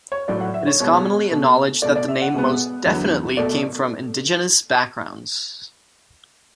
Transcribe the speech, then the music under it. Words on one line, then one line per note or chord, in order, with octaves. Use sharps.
It is commonly acknowledged, that the name most definitely came from indigenous backgrounds.
C#5
A2 F#3 A3 D5
F#5
E5
C#5
B2 G#3 B3 C#5
B2 A3
B2 A3 D5
D5
E5
F#5
B2 G#3 B3
E2 D3 F#3 B3
B2 A3 D5